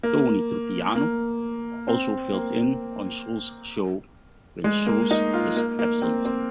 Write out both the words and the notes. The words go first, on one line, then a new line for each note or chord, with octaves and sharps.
Tony Trupiano also fills in on Schultz's show when Schultz is absent.
A#3
A#3
C4
A#3
G#3
A#3
D#4
F4
A#3
A#3
C4
C4